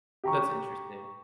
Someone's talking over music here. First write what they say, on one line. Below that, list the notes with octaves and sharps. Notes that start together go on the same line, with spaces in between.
That's interesting.
G4 A#5 C#6